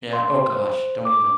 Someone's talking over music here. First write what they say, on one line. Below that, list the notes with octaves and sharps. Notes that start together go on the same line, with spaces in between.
yeah, oh gosh, don't even.
C6
C5
D6